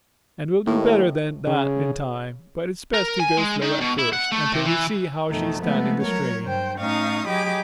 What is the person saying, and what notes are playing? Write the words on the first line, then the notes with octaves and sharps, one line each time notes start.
And we'll do better than that in time, but it's best to go slow at first, until we see how she is standing the strain.
D#2 A2 D#3
C#3
A#4
G#5
G#3
D#3
B2
E4
F#5
A3
C3
E3
F2 B2 D#3 A3
F3 G#3 A3 B3
F#3 A#4 C#5
G2 C5 G5
A2 C#4 D#4 F5 C#6 D#6
F#3 G4 G#4 D#5 B5 D6